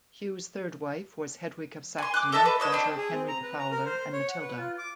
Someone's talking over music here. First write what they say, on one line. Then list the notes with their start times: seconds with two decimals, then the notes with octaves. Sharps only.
Hugh's third wife was Hedwig of Saxony, daughter of Henry the Fowler and Matilda.
1.98 G#5 C6
2.14 D6 F#6
2.32 A4 D#5 E5 A5
2.45 B4
2.60 C#5 D#5 E6
2.72 C4 D4
2.97 G#4
3.13 C4
3.28 A#5
3.43 B4
3.59 A#5
3.71 A#4
3.86 C5
4.13 C#5
4.29 F#5
4.40 B4
4.58 F4
4.78 D6